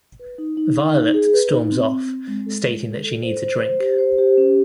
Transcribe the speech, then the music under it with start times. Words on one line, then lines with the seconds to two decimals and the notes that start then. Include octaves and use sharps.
Violet storms off, stating that she needs a drink.
0.19 B4
0.38 D#4
0.57 D#4
0.76 D#4
0.95 D#4
1.14 G#4
1.34 B4
1.52 D#4
1.72 C4
1.90 C4
2.09 C4
2.28 G#3
2.46 A4
2.66 G#3
2.85 A4
3.04 A4
3.23 C5
3.42 C5
3.60 C5
3.80 G4
3.98 C5
4.18 G4
4.38 C#4